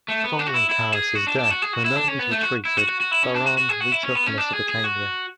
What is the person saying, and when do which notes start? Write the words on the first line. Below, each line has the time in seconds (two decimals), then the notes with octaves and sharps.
Following Carus's death, the Romans retreated, Bahram retook Mesopotamia.
0.08 A3
0.24 B3
0.39 D4
0.47 F#4
0.54 E4
0.69 E4
0.92 G#4
1.15 F#4
1.27 D4
1.39 D4
1.51 F#4
1.62 G#4
1.73 F#4
1.85 E4
1.96 D4
2.08 C#4
2.19 B3
2.31 A3
2.42 F#4
2.65 E4
2.77 F#4
2.88 F#4
3.00 F#4
3.11 E4
3.23 C#4
3.34 D4
3.46 F#4
3.58 F#4
3.69 G#4
3.80 F#4
3.92 E4
4.03 C#4
4.15 B3
4.26 C#4
4.38 D4
4.53 G#4
4.69 G#4
4.84 F#4